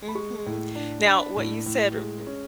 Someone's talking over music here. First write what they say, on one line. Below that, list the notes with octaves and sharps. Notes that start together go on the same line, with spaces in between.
Mhm, now, what you said, r r
B5
G#3 C#6
A2
D4
D4 B5
A2
A2
G#3
C#4